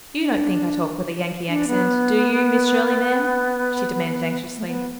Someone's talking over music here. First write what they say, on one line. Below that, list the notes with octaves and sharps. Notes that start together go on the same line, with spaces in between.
"You don't think I talk with a Yankee accent, do you, Miss Shirley, ma'am?" she demanded anxiously.
D4
D4
B3
A3
B3